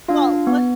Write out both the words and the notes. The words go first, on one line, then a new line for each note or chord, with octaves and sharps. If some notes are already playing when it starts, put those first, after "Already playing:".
Well, what
D4 F4 F5
B3